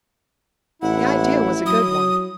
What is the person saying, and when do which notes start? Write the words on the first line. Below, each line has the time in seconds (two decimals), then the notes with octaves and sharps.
The idea was a good one.
0.82 A1 E4 F#5
1.66 F#3 D#6